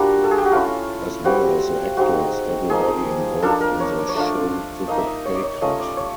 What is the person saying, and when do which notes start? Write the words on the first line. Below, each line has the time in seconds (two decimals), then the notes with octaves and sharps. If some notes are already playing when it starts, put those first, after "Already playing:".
As well as the actors, everybody involved in the show took a pay cut.
Already playing: G3 A#3 D4 F4 F#4
0.24 A4
0.31 G#4
0.38 G4
0.45 F#4
0.51 A3 C#4 E4 F4
1.24 G3 C4 F4 F#4
1.97 G#3 C4 D#4 F#4
2.70 F3 A#3 D#4 G#4
3.42 A#3 D4 F4 A4
3.61 A#4
3.80 C#5
3.98 D5
4.09 C#5
4.15 A3 D4 F4 D5
4.88 A#3 D#4 D#5
4.98 E5
5.07 D#5
5.25 C#5
5.35 D5
5.43 C#5
5.62 A3 C#4 F4 D#5
5.80 D5
5.97 C#5